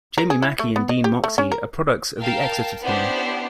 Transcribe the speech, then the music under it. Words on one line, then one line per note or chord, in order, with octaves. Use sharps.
Jamie Mackie and Dean Moxey are products of the Exeter team.
A#4
G#4
E4
A3
B3
D#5
G4
A3
C#4
A#4
A#4 F5 G5 A5
B3 C#4 D4 E4 G4 C5